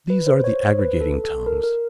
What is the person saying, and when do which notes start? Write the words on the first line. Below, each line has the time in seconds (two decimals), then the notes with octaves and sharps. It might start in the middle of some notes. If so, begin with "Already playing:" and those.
These are the aggregating tongues.
0.10 B4
0.27 C5
0.44 C#5
0.61 C5
0.79 B4
1.01 A4
1.24 A4
1.47 A#4
1.63 A#4